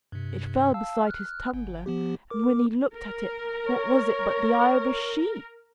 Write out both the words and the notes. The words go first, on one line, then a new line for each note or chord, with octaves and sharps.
It fell beside his tumbler, and when he looked at it what was it but the eye of a sheep.
G2 C3
F5 A5 E6
F6 F#6
G1
F3 B3 G4
A#4 D6
A#4
C#5